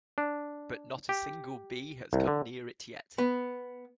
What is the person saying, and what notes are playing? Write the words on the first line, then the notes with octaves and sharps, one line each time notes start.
But not a single bee has come near it yet.
D4
G4
C2
D3
B3